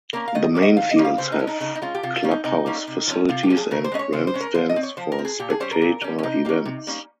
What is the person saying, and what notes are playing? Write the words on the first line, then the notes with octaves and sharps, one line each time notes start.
The main fields have clubhouse facilities and grandstands for spectator events.
A#3 C#4 A#4
F5
D#3 D#5
G3 A#3 C#4
D#5
D#3 F5
D#5
G3 A#3 C#4
F5
C#3 C5
D#4
G#3 C#4
D#4
C#3 D#4
D#4
G#3 C#4 F4
G4
C3 F4
F4
G3 A#3 C#4
D#4
C3 D#4
G3 A#3 C#4
C3
F3 A#3 C#4
C3 F4
G4
F3 A#3 C#4
G#4
C#3 A#4
C5
G#3 C#4 D#5
C#5
C#3 C5
C5
G#3 C#4
A#4
F3 C5
D#5
C4
C#5
F3 C5
A#4
C4
G#4
A#2 G4
G#4
G3 C#4 C5
A#4
A#2
G3 C#4
C#4
C3 D#4
G3 A#3 C#4
C3
G3 A#3 C#4